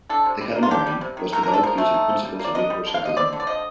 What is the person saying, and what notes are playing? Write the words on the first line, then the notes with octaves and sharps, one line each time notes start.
The catamaran was developed using principles of universal design.
D4 A4
C3
G3
A#3
F4
D4 G4
G3
C3
D#3
A3 A#4
A#4
D4
A4
F3 A#4
A3
D#4
F3
G3
A#3
D5
D4 D#5
G3
D3
F5
A3
D#5
C4 D5
D3
D5
F3 D#5